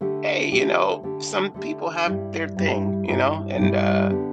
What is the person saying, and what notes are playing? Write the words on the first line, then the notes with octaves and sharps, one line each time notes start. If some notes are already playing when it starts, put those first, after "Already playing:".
Hey, you know, some people have their thing, you know, and, uh,
D3 A3 G4
D3 A3 G4
D3 A3 G4
D3 A3 G4
G2 G3 E4
G2 G3 E4
G2 G3 E4
G2 G3 E4
D3 B3 D4 G4